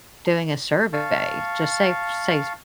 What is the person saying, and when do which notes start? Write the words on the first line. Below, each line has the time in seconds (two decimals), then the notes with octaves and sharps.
doing a survey, just say say
0.93 F5 A5 C#6